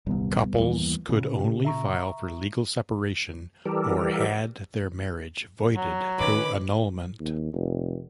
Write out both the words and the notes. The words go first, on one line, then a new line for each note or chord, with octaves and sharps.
Couples could only file for legal separation or had their marriage voided through annulment.
D#1 C2 F#2 G3 B3
D#2 E3 A#3
A#2 C#3
G4
E5 A#5 C#6
E3 G3 G4 A4 A#4
F#3
D#3 C#4 B4 B5 D6
D#2
F1